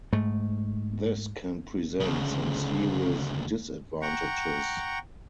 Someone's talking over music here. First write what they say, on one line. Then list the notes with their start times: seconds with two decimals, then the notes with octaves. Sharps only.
This can present some serious disadvantages.
0.12 G#2 A3
2.00 D2 C#3
4.02 F#5 G5 A#5 C#6